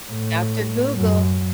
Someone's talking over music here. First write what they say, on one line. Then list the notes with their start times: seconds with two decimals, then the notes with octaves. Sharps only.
After Google,
0.10 A2
0.95 F#2